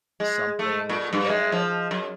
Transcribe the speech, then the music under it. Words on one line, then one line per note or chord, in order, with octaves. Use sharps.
something that
G#3
A3
A#2
G2
G#3
F3
F#2